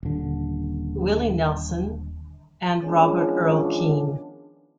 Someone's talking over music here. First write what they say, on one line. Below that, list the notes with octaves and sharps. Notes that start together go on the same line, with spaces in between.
Willie Nelson, and Robert Earl Keen.
D#1 D3
D#3 F3 G#3 B3 C#4 D4